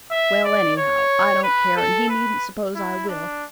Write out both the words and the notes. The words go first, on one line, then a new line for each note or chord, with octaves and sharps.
Well, anyhow, I don't care, and he needn't suppose I will.
E5
D5
C#5
B4
A4
B4
E4
D4